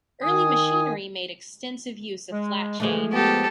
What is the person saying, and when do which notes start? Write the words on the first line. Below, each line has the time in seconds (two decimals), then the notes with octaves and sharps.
Early machinery made extensive use of flat chain.
0.23 D#3 G#5 D#6
2.32 G#3
2.80 G2 D3 E3 F3 G#3 A3
3.13 B3 G4 A4